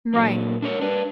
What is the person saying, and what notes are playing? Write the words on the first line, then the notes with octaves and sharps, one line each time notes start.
Mm right.
A#2 F#3 A#3
D4 A#4 C#5
D4 B4